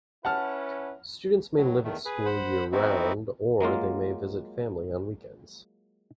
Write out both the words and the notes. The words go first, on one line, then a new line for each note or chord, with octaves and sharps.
Students may live at school year round or they may visit family on weekends.
C#4 E4 B4 F#5 A5 F6
A2 F#3
E2 D#3 A3
G#4 B4
C5 F#5 B5
E3 B3 C4 D#4 E4 F#4
F#3 G#3 A#3 F4